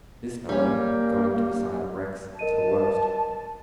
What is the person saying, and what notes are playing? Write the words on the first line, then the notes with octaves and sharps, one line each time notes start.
This fellow"--going to the side of Rex--"is the worst.
G3 A#3 C#4
A#4 D#5 A5 D#7